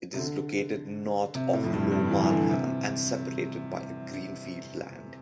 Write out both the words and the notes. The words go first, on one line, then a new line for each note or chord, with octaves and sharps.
It is located north of Low Marnham and separated by greenfield land.
C3
D3
C3
A2
F2
G2
G2
E3
E3
D3
C3